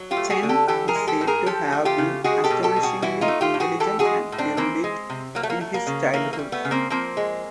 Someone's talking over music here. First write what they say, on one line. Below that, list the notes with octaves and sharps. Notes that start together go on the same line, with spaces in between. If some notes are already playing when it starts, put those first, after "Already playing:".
Chen is said to have been astonishingly intelligent and erudite in his childhood.
Already playing: F#3
F4 G4
A3
F#4 G#4
D3
G4 A4
E3 G4 A4
G#4 A#4
G#3
G4 A4
A2
G#4 A#4
F3 G4 A4
A3
F4 G4
C#3
G#3 F#4 G#4
G4 A4
B2
G4 A4
B2
F#4 G#4
E3 E4 F#4
D#4 F4
A3
F4 G4
A2
F#4 G#4
E3 G4 A4
F#4 G#4
G#3
A2
C4 D4
E3 A#3 C4
G#3
C3
F#3 A#3
A3
A#3
A3
A#3
C#3
E3 A#3
A#3
G3
A3 B3
C#3
A#3 C4
F3 A#3 C4
G#3